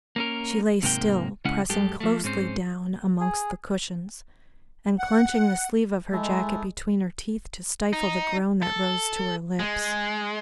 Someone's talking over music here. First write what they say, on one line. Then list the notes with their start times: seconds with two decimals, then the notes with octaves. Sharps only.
She lay still, pressing closely down amongst the cushions, and clenching the sleeve of her jacket between her teeth to stifle the groan that rose to her lips.
0.16 A#3 C#4 A#4
0.83 G#2 C3 D#3 A#3 G5
1.45 C#3 G#3 C#4 E4 F#5
1.69 F#2 G#3 G4 A4
2.00 F3 A3
2.24 G#2 C4 C#4 C5
3.21 G#4
4.99 F#5
6.12 G#3 A3 E4
7.93 D#4
8.63 A4
9.59 G#3